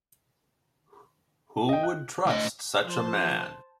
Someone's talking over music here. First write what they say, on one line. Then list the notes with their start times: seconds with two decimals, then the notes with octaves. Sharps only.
Who would trust such a man?
1.69 D#5 G5
1.83 F#6
2.27 A2 D#5
2.84 F3 C5 A5